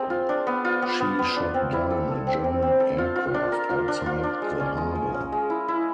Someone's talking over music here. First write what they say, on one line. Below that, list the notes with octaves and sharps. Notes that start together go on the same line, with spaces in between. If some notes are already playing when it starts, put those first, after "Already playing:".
She shot down a German aircraft outside the harbour.
Already playing: C4 G#4
F4
D4
B3
F4
B3
B3
B3
D4
C4
E4
A4
A4
C4
C4
C4
A4
F4
F4
D4
A#4
F4
D4
F4
D4
G#3
C#4
G#3
G#3
C#4
G#3
E4
E4